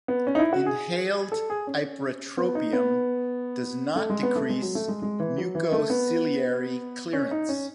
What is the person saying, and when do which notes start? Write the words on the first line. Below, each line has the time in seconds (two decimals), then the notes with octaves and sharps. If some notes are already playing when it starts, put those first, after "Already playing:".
Inhaled ipratropium does not decrease mucociliary clearance.
0.08 B3
0.27 C#4
0.35 D#4
0.39 E4
0.53 F#4
0.66 G#4
1.32 A4
1.50 G#4
1.67 C#4
2.37 B3
2.55 D#4
2.73 B3
3.96 A3
4.10 G#3
4.23 B3
4.36 A3
4.49 G#3
4.62 F#3
4.75 A3
4.88 G#3
5.02 G#3
5.20 E3
5.38 F#3
5.55 E3
5.72 A3
5.90 B3
7.13 C#4
7.31 D#4
7.49 C#4